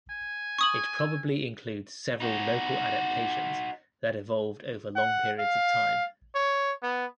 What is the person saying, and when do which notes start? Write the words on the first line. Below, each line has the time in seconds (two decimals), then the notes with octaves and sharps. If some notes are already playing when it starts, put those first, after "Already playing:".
It probably includes several local adaptations that evolved over long periods of time.
0.10 G#5
0.59 C#6 D#6 F#7
0.99 E6
2.20 D#4 F#4
4.96 F#5
5.39 F5
6.35 C#5
6.83 B3